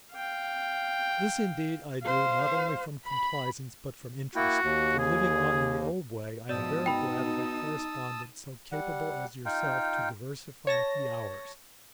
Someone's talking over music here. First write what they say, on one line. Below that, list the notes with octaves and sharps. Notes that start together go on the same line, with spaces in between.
This, indeed, I do not only from complaisance but from interest; for living on in the old way, I am very glad of a correspondent so capable as yourself, to diversify the hours.
F5 G5
C5 F5
B5
A#3 E4 F#4 G5
D#2
G#4
G#2 B2 F3 D5 A5 D#6 E6
D#4 G5 B5
G3 F#5
D#4 F4 G5
C#5 A5 A#6